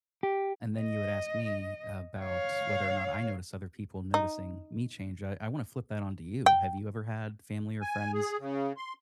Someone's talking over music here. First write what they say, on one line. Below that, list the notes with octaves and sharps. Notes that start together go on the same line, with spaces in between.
and then you would ask me about whether or not I notice other people noticing me change, I I wanna flip that onto you, have you ever had family or friends
G4
D#5
C#5 F5
D#4
G5
G#5
G#4
C#3
C6